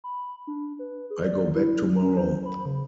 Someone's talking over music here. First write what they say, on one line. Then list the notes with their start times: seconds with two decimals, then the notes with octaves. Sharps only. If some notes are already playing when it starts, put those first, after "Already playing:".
I go back tomorrow.
0.04 B5
0.47 D4
0.79 B4
1.10 G#4
1.24 D5
1.55 E4
2.02 C#4
2.17 C5
2.46 B5
2.65 C#3